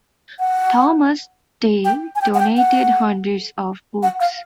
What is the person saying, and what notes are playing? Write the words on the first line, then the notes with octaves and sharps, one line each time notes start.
Thomas Day donated hundreds of books.
F#5
G5
G#5
G5
F#5
G5
F#5
F#5
F5